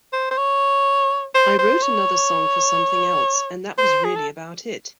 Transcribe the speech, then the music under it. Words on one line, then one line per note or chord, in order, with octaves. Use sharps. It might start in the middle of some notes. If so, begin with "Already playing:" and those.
I wrote another song for something else and that was really about it.
C5
C5
C#5
C5
C5
C#5
C5
G#4
A4